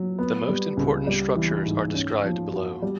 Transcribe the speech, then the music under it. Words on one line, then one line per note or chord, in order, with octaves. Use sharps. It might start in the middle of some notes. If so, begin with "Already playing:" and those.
The most important structures are described below.
Already playing: F#3
B3
G3
C#2
G3
E3
G#2
C#4
F3
F#4
G3